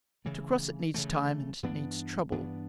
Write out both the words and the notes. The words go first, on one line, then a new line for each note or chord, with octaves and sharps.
To cross it needs time and needs trouble.
C#3 E3 A3
C#3 E3 A3
G2 E3 B3 D4
G2 E3 B3 D4